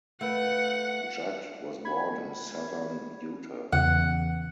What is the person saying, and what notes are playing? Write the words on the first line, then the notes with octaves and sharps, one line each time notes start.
Judd was born in southern Utah.
A3 F4 B4 F#5
B5 G#6
E2 C#3 E3 F#5